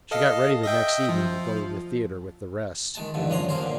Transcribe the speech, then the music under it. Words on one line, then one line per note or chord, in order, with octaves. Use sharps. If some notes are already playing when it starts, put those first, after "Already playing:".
She got ready the next evening to go to the theatre with the rest.
A4 D#5 F5
D#5 E5 G5
F3
D#3 G#3 A5
E2 G2 D3 D#3
F3 C#4 D4 A#5 C6
A#3 C4 G#4 A#4 C5
A#2 D3